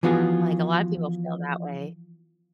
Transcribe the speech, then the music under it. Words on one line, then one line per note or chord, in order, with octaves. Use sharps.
Like, a lot of people feel that way.
E3 F3 B3 F4 F#4 G#4